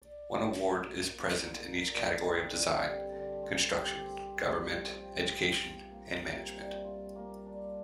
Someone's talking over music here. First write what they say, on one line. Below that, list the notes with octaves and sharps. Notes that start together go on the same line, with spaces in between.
One award is present in each category of design, construction, government, education, and management.
D5
A#4
A#3
F4
D5
A#4
D3
C4
D3
G3
D3
C4
G4
C4
G2
F3
G4
C4
F4
A#3
C3
G3
F4
A#3
D4